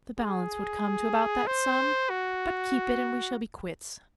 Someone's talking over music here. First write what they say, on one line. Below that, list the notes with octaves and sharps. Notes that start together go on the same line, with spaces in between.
"The balance would come to about that sum; but keep it, and we shall be quits."
G#4
C5
F#4